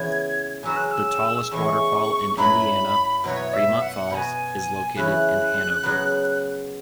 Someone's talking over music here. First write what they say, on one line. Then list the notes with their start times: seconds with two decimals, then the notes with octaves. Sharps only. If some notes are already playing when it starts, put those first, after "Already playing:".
The tallest waterfall in Indiana, Fremont Falls, is located in Hanover.
Already playing: C#3 E3 B3 F#4 G#6
0.63 C#3 F#3 C#4 F#4 B4 E6
0.76 F#6
0.87 F#6
0.92 E6
1.51 E2 C#3 E3 G#3 C#6
2.37 F#2 F#3 E4 B4 B5
3.24 B2 F#3 E4 B4 C#5
3.45 C#5
3.53 E5
3.82 F#5
4.10 B2 B3 F#4 G#5 B5
4.97 C#3 E3 C#4 E4 F#6
5.83 C#3 F#3 B3